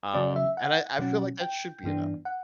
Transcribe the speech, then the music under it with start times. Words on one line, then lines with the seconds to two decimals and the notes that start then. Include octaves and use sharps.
Um, and I I feel like that should be enough.
0.14 C#3 F#3 C#4 D5
0.36 E5
0.57 F#5
0.99 B2 F#3 C#4
1.41 G5
1.83 G2 E3 B3 D4
2.25 F#5